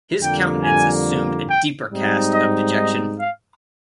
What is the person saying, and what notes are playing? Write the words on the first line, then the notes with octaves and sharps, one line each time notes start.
His countenance assumed a deeper cast of dejection.
F2 D3 G3 A#3 G5
G#5
G5
G#2 G3 C4 D#4
D#5
D#5
F5